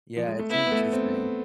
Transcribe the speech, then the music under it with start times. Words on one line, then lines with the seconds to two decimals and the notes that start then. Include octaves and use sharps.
Yeah, it's interesting.
0.17 F3
0.27 G#3
0.39 A3
0.50 B3 E4
0.67 B3
0.72 A3
0.93 C4